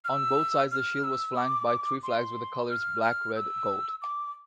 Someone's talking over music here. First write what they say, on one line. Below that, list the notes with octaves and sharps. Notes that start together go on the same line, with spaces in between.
On both sides the shield was flanked by three flags with the colours black-red-gold.
F6
E6
F6
E6
D6
C6
F6
F6
E6
D6